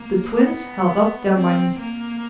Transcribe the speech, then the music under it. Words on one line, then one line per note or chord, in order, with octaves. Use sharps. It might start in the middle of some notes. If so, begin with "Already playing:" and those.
The Twins held up their money.
Already playing: A#3
B3
C4
A#3